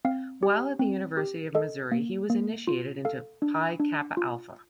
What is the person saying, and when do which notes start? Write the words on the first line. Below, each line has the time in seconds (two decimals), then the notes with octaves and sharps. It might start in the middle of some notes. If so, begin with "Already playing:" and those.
While at the University of Missouri, he was initiated into Pi Kappa Alpha.
0.05 C4 F5
0.43 G4
0.79 C4
1.17 G4
1.55 A4 D#5
1.92 A#3
2.30 A#3
2.67 F4
3.05 A4 F5
3.42 D4
3.80 D4
4.17 F4